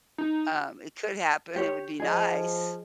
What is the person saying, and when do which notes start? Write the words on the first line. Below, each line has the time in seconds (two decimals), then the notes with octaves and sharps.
Um, it could happen, it would be nice.
0.18 D#4
1.56 G4 C#5
2.00 F3 G#4 D#5